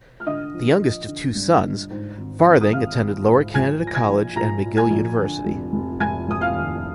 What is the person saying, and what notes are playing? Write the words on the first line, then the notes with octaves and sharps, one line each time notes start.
The youngest of two sons, Farthing attended Lower Canada College, and McGill University.
F6
D3 D#5 D#6
F3
F3
D3
G2
D3
G#2
G#1
G#1
D#6
G#1 F5 F6
G#1
G#2
A#1 G#5 G#6
A#2
A#6
G#5 G#6
A#1
A#2 A#5 A#6
A#2
G#5 G#6
A#1
D3
F1
F1
F1 G#5 G#6
F1 D#6
F5 F6
D#2